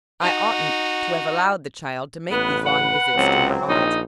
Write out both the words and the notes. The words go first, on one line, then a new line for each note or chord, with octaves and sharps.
I oughtn't to have allowed the child to make these long visits to her aunt.
D#4 F#4
A1 B3 B4
F#5
C#2 F#3 C4
A#1 D#4